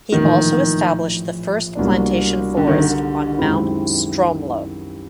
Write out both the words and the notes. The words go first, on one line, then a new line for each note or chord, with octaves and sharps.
He also established the first plantation forest on Mount Stromlo.
A#1 A2 D#3 E3
C2 B2 F#3 A#3 D4
D3
D#3
D3
F#2 D#3 G#3 C4 E4